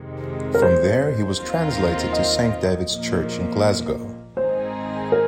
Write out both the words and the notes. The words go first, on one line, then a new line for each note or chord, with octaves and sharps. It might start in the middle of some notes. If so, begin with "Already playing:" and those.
From there he was translated to Saint David's Church in Glasgow.
Already playing: F2 C3 D#3 G#3
A#4
C5
D#2 D#3 C4 F4 A#4
D#5
A#2 F3 A#3
G#2 D#3 C4 D#4 G#4 C5
A#4